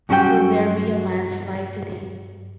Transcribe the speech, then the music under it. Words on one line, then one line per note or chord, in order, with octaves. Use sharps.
Will there be a landslide today?
G2 F#3 C#4 F#4 A#4 G5